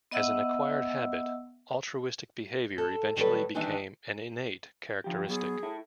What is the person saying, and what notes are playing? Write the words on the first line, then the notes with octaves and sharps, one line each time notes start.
As an acquired habit, altruistic behavior eventually became an innate characteristic.
B3 D#5 E5 F#5 E6
A4
D#3 F#3 G3 A4 B4
D#3 E3 G3 D4 D#4
D3 F3 G4
F#3 B3 G#4
E4 A4